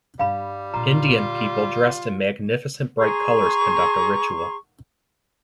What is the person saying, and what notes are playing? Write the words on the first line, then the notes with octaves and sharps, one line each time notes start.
Indian people dressed in magnificent bright colors conduct a ritual.
G2 G3 B3 F5 B5
A#2 D3 F4 A#5
G#4 A#5 C6 C#6